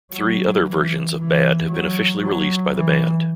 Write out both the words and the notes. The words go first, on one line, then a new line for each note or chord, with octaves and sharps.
Three other versions of "Bad" have been officially released by the band.
F#3
E3
E3
F#3
F#3
E3